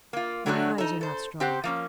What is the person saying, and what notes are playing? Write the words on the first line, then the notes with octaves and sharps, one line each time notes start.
"My eyes are not strong."
A#3 F4
D3 F#3 G3 D4 F#4
D#4 A4
A4 C5
C4 G4 C5 F#5
F3 A#3 C#4